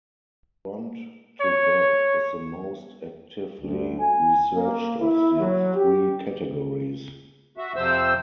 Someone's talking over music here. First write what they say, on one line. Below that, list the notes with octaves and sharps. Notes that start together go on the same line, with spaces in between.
Front-to-Back is the most actively researched of the three categories.
C#5
D2
G#5
A#3
E4
F#3
G4
F#4 E5
F2 C3 F3 C4 C5 E6